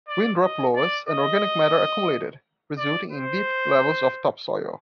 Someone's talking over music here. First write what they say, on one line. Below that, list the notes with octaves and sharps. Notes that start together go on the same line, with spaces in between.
Wind-dropped loess and organic matter accumulated, resulting in deep levels of topsoil.
D5
D#5
D5
D#5
D5
C5